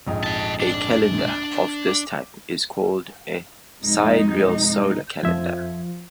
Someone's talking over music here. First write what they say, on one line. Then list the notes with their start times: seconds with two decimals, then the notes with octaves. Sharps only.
A calendar of this type is called a sidereal solar calendar.
0.07 A#1 F2 G#2
0.23 D#5 A5
0.60 D4
1.87 D6
3.81 F2 B2 G#3 D#4
5.23 F2 F3 E5 G#6